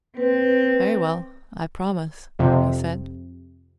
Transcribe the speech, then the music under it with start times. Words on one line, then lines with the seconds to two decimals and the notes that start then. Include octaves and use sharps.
"Very well--I promise," he said.
0.17 C4 B4
2.39 F2 C3